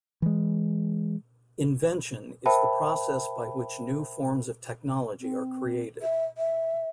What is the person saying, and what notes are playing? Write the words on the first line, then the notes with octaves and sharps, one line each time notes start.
"Invention" is the process by which new forms of technology are created.
E3 G#3
A#4 C5 E5 G5 A5 B5
C4
E5
E5